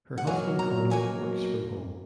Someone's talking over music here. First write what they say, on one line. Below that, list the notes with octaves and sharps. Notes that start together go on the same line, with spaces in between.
Her husband Conor works from home.
F#5
B2 F#3 A#3 G#5
A#5
B2 F#3 A#3 G#5